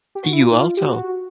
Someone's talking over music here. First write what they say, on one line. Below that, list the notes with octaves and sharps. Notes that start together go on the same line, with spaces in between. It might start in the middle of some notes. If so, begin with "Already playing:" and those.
You also.
G4
F#4
E4
F4
D#4
F4
G4
F#4